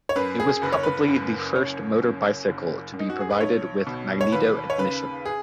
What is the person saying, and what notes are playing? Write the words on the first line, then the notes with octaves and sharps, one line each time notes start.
It was probably the first motor bicycle to be provided with magneto ignition.
C#5
F#2 B4
G#4
F#1 B4
C#5
B4
F#2
F#1 C#5
F#2
F#1
F#2
D#4
F#4
G#4
B4
B1 C#5
B2
C#5
D#2 B4
C#5
C#3 B4
G#4